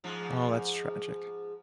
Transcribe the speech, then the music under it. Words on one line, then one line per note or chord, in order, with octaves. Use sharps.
Oh, that's tragic.
G#2 F3